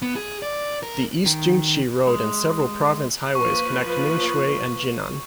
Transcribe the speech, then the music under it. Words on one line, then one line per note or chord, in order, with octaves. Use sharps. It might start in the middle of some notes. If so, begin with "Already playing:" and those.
The East Jingshi Road and several Province Highways connect Mingshui and Jinan.
B3
G#4
D5
A#4
D#3
G#3
F3 A#3 B4 C#6